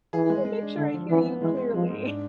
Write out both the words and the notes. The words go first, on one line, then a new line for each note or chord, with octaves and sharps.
Let me make sure I hear you clearly.
E3 G#4
G#3
G#3
D4
D3 A4
F3
E3 B3
B3
E3 G#3
C4
F3 G#3
G#2
D4